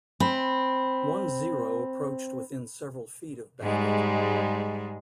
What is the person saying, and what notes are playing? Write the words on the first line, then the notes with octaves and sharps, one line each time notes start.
One Zero approached within several feet of Baggett.
C4 B5
G#2 G3 G#3